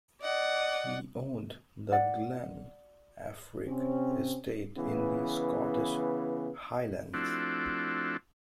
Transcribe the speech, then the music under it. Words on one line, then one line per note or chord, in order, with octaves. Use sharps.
He owned the Glen Affric Estate in the Scottish Highlands.
D5 D#5 F#5
D5 F#5
C3 C4 C#4
C#3 E3 B3
F3 A3 C4 D4 E4 F#4